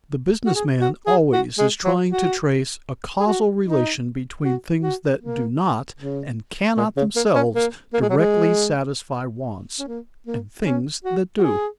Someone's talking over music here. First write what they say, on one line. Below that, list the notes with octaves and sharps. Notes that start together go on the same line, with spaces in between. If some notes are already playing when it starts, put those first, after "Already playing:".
The business man always is trying to trace a causal relation between things that do not and cannot themselves directly satisfy wants, and things that do.
F#4
G#4
F#4
G#4
F#4
G#3
F#3
F#4
G#4
F#4
D#4
F#4
F#4
A#3
C#3
A#2
C#3
A#3
C#4
A#3
A#3
G#3
F#3
G#3
C#4
A#3
A#3
C#4
F#4
F#4
G#4